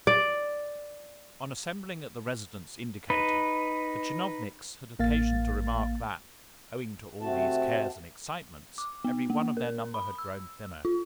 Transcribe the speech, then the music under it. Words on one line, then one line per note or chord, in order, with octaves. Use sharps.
On assembling at the residence indicated, the tchinovniks had occasion to remark that, owing to all these cares and excitements, every one of their number had grown thinner.
D5
D#4 B4
A1 A#3 F5 A6
C3 A3 C4 F#4 A5
D6
B3
A#3
A#4
B5
E6
F4